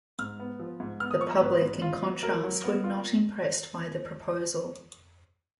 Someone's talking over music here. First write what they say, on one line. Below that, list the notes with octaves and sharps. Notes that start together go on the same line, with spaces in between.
The public, in contrast, were not impressed by the proposal.
G#2 F6
B3
F3
G#2
B3 F6
D#6
F3 C#6
A#5
G#2 B4
G#2
F4
F#3
F#3 A#4
F#3
B3
F4